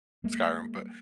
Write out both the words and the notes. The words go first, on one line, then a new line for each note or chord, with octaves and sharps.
Skyrim, but,
G3 G#3 A#3